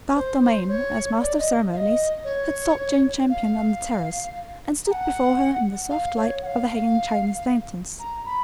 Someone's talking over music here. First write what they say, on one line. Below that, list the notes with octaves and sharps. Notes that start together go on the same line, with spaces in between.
Garth Dalmain, as master of ceremonies, had sought Jane Champion on the terrace, and stood before her in the soft light of the hanging Chinese lanterns.
C5
C5
C#5
D5
D#5
F5
D#5
C#5
F5
A#5
F#5
F5
C#5
F#5
F5
A#5
B5